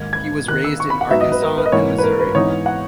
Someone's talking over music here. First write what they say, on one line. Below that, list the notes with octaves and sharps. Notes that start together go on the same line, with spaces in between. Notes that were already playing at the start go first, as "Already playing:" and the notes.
He was raised in Arkansas and Missouri.
Already playing: G#2 D#3 A#3 G#6
G#6
D#3 A#3 D#4 F#6
E6
C#6
B5
F#5
G#2 F#3 B3 D#4 E5
D#5
B4
A#4
B4
D#5
G#2 E3 A#3 C#5
B4
A#4
B4
G#2 E3 B3 D#4 C#5
F#5